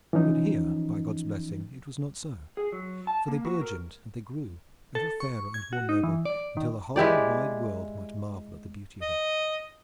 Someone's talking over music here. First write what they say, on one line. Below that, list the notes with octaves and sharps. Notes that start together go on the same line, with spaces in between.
But here, by God's blessing, it was not so, for they burgeoned and they grew, ever fairer and more noble, until the whole wide world might marvel at the beauty of it.
E3 F3 C#4 D#4
G#4
F#3
A5
A#3
F#4
A#4
A4
C#6
G#6
F#4
D#4
E3
D5
D#3
G#3 E4 G4 D5
D#5